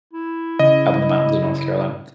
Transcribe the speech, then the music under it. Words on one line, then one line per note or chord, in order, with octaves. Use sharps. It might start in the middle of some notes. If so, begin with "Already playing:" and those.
up in the mountains in North Carolina.
E4
C#3 D#5